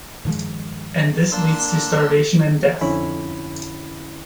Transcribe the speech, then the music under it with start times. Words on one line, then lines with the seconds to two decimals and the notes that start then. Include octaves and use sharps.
And this leads to starvation and death.
0.25 G2 D#3 F3 G#3
1.32 A#3 D4 C6 E6
2.81 F2 D3 C#4 E4 B5